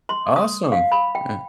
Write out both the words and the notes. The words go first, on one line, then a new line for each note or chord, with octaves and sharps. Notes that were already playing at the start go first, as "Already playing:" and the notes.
Awesome. Eh.
C6
D#6
F5
B5
G5